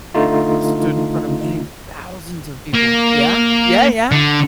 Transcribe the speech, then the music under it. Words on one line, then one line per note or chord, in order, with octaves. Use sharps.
stood in front of many thousands of people. Yeah? Yeah, yeah?
D3 A3 D#4 F4
A#3
D3